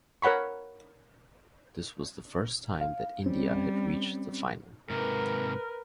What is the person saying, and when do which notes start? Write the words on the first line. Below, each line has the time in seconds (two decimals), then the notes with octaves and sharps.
This was the first time that India had reached the final.
0.22 A#4 C#5 F#5 B5 C#6
2.81 F5
3.26 G3 C4 C#4
4.90 G#2 C3 A#4 B4